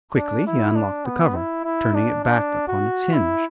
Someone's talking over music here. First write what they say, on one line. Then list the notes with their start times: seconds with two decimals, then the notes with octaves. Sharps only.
Quickly he unlocked the cover, turning it back upon its hinge.
0.16 D4
0.47 E4
0.75 D4
1.06 B3
1.36 E4
1.64 E4
1.95 D4
2.24 D4
2.68 F#4
3.13 E4